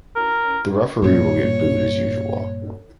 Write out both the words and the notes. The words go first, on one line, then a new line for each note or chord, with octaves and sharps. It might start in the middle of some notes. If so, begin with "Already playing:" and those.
The referee will get booed as usual.
A#4
G2 A#2 C#5